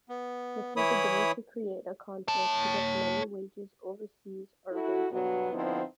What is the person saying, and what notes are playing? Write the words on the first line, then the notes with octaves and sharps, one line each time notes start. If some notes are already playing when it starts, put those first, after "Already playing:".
This is beginning to create a conflict because many wages overseas are raising.
B3
E3 E4 C#5 B5 D#6
C#5 A5
E4 F#4 A4
G2 B2 F#3 B3 F#4
D3 F3 B3 C4 D#4 E4